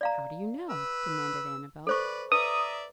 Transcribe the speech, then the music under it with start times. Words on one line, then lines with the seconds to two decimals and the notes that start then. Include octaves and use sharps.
"How do you know?" demanded Annabel.
0.01 D5 F5 A#5
0.69 B4 E6
1.87 A4 B4 C5 D5 C#6
2.32 B4 D5 E5 A#5 D#6